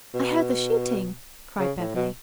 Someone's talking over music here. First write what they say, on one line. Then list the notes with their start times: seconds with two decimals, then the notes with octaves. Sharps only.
"I heard the shooting," cried Beverly.
0.14 B2
1.59 C#3
1.78 A2
1.95 B2